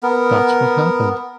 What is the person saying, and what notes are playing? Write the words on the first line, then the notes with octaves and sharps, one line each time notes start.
That's what happened.
B3 A#4